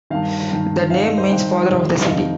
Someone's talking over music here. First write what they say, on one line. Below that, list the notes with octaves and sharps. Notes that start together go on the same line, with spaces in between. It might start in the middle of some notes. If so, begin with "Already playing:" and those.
The name means "father of the city".
G2 D#3 F5
G2 D#3
G2 D#3 F5
D#5
C5
G2 D#3 G5
F2 C3 D#3
F5
F2 C3 D#3 D#5